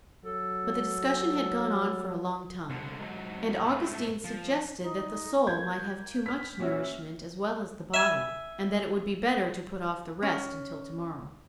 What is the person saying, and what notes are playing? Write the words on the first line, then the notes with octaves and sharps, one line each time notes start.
But the discussion had gone on for a long time, and Augustine suggested that the soul might have too much nourishment as well as the body, and that it would be better to put off the rest until to-morrow.
F#3 A4
C2 D3
G#2 F#3
G#2 A3
F3
D#4
A#3 G6 G#6
F6 B6
A#2 C#4 F#4 E5
E5 G#5
C#4